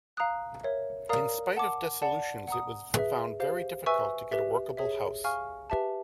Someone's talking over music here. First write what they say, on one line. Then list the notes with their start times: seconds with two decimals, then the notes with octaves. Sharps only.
In spite of dissolutions it was found very difficult to get a workable house.
0.17 F5 A#5 D#6 F#6
0.63 A#4 C#5 E5
1.09 A#4 D5 F5 A#5 D#6
1.56 F#5 A5 D6
2.02 D5 F#5 A5
2.48 F#5 A#5 D#6
2.94 G#4 B4 E5
3.40 G4 C5 F5
3.86 B4 E5 G#5 C#6 E6
4.32 G4 B4 E5
4.77 G#4 C#5 E5
5.24 F5 G#5 C#6 F6
5.70 G4 B4 E5 A5